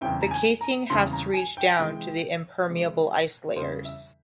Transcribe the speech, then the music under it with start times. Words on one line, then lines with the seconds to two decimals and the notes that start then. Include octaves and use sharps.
The casing has to reach down to the impermeable ice layers.
0.01 E2 C#3 G3 C4 E4 G5
0.22 A#5
0.31 G#5
0.61 A#5
0.89 E2 C#3 G3 C4 E4 C6
1.13 A#5
1.34 G#5
1.57 G5
1.79 C3 E3 G#3 E4
2.67 C3 E3 G#3 E4
3.56 E2 C#3 E3 G3 C5
3.85 E5